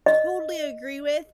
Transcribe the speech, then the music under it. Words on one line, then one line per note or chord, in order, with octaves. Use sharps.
totally agree with,
D#5